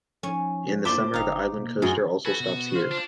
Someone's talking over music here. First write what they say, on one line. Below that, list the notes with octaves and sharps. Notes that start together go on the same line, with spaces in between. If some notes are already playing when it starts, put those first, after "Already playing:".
In the summer, the Island Coaster also stops here.
F3 C#4 D#4
A#3 E4 F4 C5 D5 E5 D6 G7
G1 D#4 F5 G5
B2 A#3
F#2 G#4
F#4 A4 B4 G#5
B2
F4 C5
D4